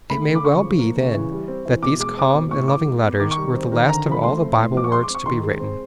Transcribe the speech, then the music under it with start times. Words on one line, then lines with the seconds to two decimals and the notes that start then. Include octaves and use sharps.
It may well be then that these calm and loving letters were the last of all the Bible words to be written.
0.10 A3 B5
0.28 D3
0.35 D6
0.45 C#3 C#6
0.62 F3
0.79 A#3
0.97 C#3
1.14 E3
1.31 G3
1.48 C4
1.65 E3
1.82 B2 D6
1.99 G#3 D6
2.17 C4 D6
2.34 B2
2.51 A2 C#6
2.68 E3 D6
2.85 G#3
3.03 B3
3.20 D#3 D6
3.31 C#6
3.37 G3
3.54 C4
3.72 D#3
3.88 D3 A#5
4.06 F3
4.12 B5
4.23 A3 C6
4.40 C4
4.57 A2
4.74 F3 D6
4.84 C#6
4.92 G#3 C6
5.03 D6
5.09 C4
5.15 C#6
5.26 D#3 C6
5.43 G#3
5.60 C4